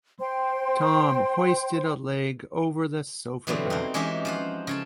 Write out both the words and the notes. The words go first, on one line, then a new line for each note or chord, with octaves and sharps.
Tom hoisted a leg over the sofa-back.
C5 G5 C6
B2 D3 E3 F#3 G3 C4
C4 D#4
E3 G#3 C#4 D#4 G4 E5
F3 C5 F#5
C#3 C#5 A5